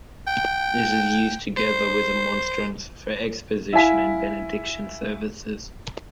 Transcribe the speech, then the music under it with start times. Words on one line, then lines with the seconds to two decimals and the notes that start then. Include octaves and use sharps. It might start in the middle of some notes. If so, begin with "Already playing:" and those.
This is used together with a monstrance for exposition and Benediction services.
0.27 G5
1.57 C5
3.73 E4 F5 G#5 B6